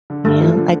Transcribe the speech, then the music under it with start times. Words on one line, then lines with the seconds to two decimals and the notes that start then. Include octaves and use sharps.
Yeah, I
0.10 D3
0.25 G2 A3
0.41 F3
0.57 D3